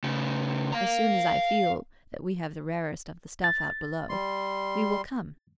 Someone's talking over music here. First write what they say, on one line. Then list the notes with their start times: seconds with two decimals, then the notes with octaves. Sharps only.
As soon as I feel that we have the rarest of the stuff out below, we will come.
0.04 C#3 A3
0.72 F5 A#5
3.44 A6
4.10 G3 C6